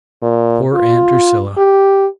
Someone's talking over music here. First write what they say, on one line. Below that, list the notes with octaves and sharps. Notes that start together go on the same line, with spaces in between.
"Poor Aunt Drusilla!"
A#2
F4
G4